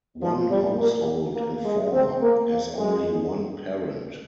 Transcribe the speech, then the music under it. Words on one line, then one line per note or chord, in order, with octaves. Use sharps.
One household in four has only one parent.
F3
G3
A#3
A#3
G#3
C4
A#3
G#3